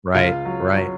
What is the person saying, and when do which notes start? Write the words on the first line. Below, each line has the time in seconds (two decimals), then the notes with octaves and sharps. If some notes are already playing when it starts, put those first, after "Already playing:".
Right, right.
0.14 C#2 F4 F5
0.45 F#3
0.75 F#3